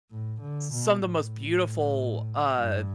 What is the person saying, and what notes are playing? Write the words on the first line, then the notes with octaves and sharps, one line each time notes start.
some of the most beautiful, uh
A2
D3
B2
A2
G2